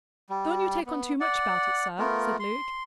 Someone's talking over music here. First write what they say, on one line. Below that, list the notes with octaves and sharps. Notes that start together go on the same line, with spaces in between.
"Don't you take on too much bout it, sir," said Luke.
G3
B3
D5 F#5
A3 B3 F4 A#4
C6